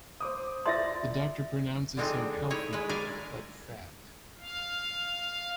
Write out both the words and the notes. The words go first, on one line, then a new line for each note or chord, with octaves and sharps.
The doctor pronounces him healthy, but fat.
C5 D6 D#6
F4 D5 E5 C6 A6 A#6
D3 F3 G#3 C4 D4 D#4
D#4 E4 C#5
G#3 E4 B4
A#4 D5 E5 F5 G#5
F5